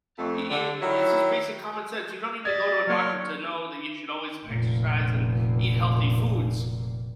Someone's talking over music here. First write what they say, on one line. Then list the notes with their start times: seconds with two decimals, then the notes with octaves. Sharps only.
you you it's just basic common sense, you don't need to go to a doctor to know that you should always exercise and eat healthy foods.
0.18 F2 A3
0.50 D3
0.82 D#3 F#3 E4
2.45 D5 D#5 G#6 A6 B6
2.87 F#3 A#3 C#5 C6 F6
4.45 F1 A#2